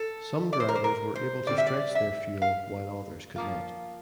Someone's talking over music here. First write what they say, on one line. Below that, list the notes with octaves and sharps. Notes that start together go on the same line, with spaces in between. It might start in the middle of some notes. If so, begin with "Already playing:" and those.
Some drivers were able to stretch their fuel while others could not.
Already playing: A4
D5
C5
A#4
C5
A#4
C5
D3 G3 C4 D5
E5
D5
E5
F5
F3 A#3 F4